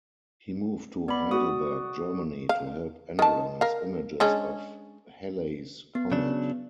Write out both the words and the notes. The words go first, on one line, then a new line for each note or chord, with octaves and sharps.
He moved to Heidelberg, Germany, to help analyse images of Halley's Comet.
B3 D5 B5
F#4 D#6
F5
D#3 A5
A#4 F5
G#3 C#4 D4
B3
C#3 F#3 D4